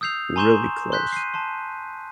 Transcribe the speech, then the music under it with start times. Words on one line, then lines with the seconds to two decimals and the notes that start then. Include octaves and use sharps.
really close.
0.01 D#6 E6 G6 C7 F7
0.36 G#5 A#5 C6 C#6 G6 E7
0.92 C6 F#6 G6 B6
1.12 C7 D#7
1.34 A5 C6